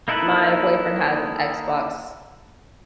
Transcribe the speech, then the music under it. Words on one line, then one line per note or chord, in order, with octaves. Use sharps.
my boyfriend has an Xbox,
A#3 D#4 E4 A4 B4